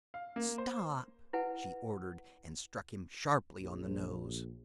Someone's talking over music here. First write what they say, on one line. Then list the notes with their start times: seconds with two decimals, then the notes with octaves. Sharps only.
"Stop!" she ordered, and struck him sharply on the nose.
0.14 F5
0.36 A#3
0.58 C5
1.33 E4 B4 F#5 G#5
3.61 A#1